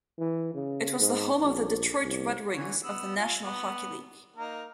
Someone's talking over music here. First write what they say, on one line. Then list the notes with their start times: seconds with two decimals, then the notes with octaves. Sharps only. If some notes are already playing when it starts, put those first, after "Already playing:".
It was the home of the Detroit Red Wings of the National Hockey League.
0.19 E3
0.55 C#3
0.99 G#2
1.40 A#1
2.04 C2
2.54 D3 E3 C#5
2.83 B3 E6
3.17 F4 G#5
3.42 B3
4.36 A#3 D#4 A#4